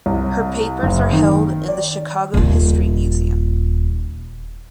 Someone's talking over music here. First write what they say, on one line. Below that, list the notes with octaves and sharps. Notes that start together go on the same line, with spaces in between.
Her papers are held in the Chicago History Museum.
C2
F#1
D#3
D5
D#1 F4